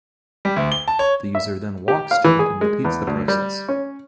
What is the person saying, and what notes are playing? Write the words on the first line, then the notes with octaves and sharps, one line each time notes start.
The user then walks to it and repeats the process.
G3
D2
G7
A5
C#5
E5
G4
F5
E3
G#4
G#3
E2
D2
G3
C#4